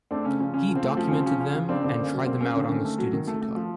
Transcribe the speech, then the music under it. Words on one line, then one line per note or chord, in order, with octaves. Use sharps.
He documented them, and tried them out on the students he taught.
A3 C4 D4
C#3 C#4
F3 C#4
C#3 C#4
F3
C4
A3
F3 C#4
C#4
C#3 C4
F3 C#4
C#3 C#4
F3
C#3 C4 D4
D3 C4 D4
A#3
C#4
F#3
A#3 C4
A#3 C#4
D3 C4
D#3 C#4
A3
F#3
D#3
A3
A3
F3